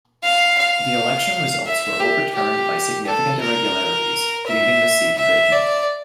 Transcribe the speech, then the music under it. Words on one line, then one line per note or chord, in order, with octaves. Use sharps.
The election results were overturned by significant irregularities leaving the seat vacant.
F5
F5
E5
G4
G4
A4
A#4
E5
E5
D5